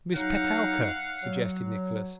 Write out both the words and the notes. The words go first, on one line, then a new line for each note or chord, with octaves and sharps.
'Miss Petowker,' suggested Nicholas.
F#3 D#4 F5 F#5
F#3